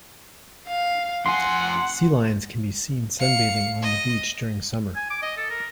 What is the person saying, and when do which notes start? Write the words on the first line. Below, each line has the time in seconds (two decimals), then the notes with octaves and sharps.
Sea lions can be seen sunbathing on the beach during summer.
0.67 F5
1.26 F2 F#5 G#5 C6
3.19 F5 C#7
3.82 D#5
4.96 G#5
5.10 D6
5.22 D#5
5.37 A4
5.50 A#4